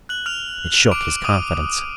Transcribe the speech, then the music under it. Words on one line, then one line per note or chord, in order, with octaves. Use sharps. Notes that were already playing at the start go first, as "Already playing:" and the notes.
It shook his confidence.
F#6 F#7
F6 F7
D6 F#6 D7
D#6 D#7